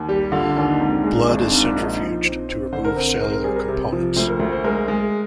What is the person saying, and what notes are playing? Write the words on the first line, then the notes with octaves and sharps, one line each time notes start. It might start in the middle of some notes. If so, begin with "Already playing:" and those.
Blood is centrifuged to remove cellular components.
Already playing: D#2
G3 G4
D3 F4
D4
D#2 D4
D#4
G#2 C4
D4
G#3 D#4
D#4
G#1 D4
C4
G#2 D4
D4
A#1 D#4
F3
C4
C4
D3 C5
A#4
C4 A#4
C4 A#4
A#4
G3 G#4
A#4
C3
F3
D2 C5
A#4
D2
C5
G#3 A#4
G#3